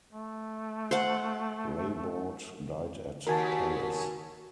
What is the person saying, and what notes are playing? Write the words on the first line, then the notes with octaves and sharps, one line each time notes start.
Reybaud died at Paris.
A3
C5 F#5
D#2 F#4 A#4 G#5 A5